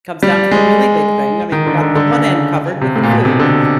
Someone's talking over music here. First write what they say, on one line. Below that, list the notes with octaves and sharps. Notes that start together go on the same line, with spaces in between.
comes down to the really big thing. I mean, we got the one end covered with the food,
G3
G#3
D#3
D3
D3
D3
C#3
C3
A2
A#2
B2
C3
D3